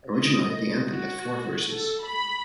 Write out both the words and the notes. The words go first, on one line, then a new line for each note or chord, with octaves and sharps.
Originally, the anthem had four verses.
D#5
F#4
A4
B5